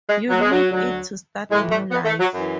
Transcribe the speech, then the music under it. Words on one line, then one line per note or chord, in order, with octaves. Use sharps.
You'll need it to start a new life.
G#3
F#3
G#3
F#3
D2 D3 F#3
A2 E3 G#3
A3
B3
A3
F#3
F#2 E3